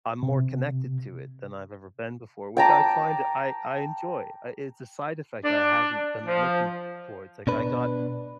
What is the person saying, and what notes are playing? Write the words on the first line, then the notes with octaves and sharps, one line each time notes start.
I'm more connected to it than I've ever been before, which I find I I enjoy. I it's a side effect I haven't been looking towards. Like, I got
C3
G5 A5 A#5 D6
D4
F3
B2 D4 B4